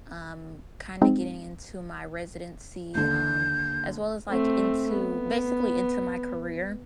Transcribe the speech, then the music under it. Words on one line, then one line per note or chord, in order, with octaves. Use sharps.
Um, kinda getting into my residency, um, as well as, like, into basically into my career.
G#3 C4 D#4 G#4
D#2 D3 G6
A3 C4
B3